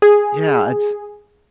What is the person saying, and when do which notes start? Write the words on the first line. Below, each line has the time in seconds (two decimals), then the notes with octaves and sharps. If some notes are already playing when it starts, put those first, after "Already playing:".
Yeah, it's
0.02 G#4